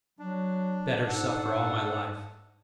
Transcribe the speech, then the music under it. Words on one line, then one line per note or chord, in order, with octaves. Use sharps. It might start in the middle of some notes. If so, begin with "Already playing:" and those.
"Better suffer all my life."
F#3 D4
G#2 A4 F#5